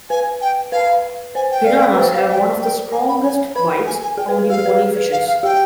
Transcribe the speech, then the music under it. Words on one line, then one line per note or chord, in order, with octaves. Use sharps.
Piranhas have one of the strongest bites found in bony fishes.
B4 G#5
G5
B4 F5
C5 G#5
G5
D5 F5
G5
B4
C5 G5
C5 F5
D5 G5
G5
G#5
B5
G#5
B4 B5
G#5
G#5
G#4 G5
B4
B4
G4 F5
G#4
B4
G#4
B4
F5
F5
G4 G5